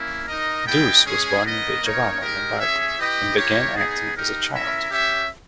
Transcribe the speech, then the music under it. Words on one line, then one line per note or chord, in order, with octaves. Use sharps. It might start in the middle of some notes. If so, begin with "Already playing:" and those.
Duse was born in Vigevano, Lombardy, and began acting as a child.
Already playing: A#3 C#4 E4
D#4 A#4 D#5
B3 E4 G#4 D#5 G5
G#3 C#4 G#4
B3 D#4 A#4 D#5
A#3 D#4 A#4 C#5
G#3 D#4 G4 A#4
C#4 G#4 C#5 E5
E4 G4 B4 D#5 G5
E4 G4 A#4 C#5
B3 D#4 G#4
D#4 G4 A#4
C#4 E4 A#4 E5
C#4 G4 C#5 E5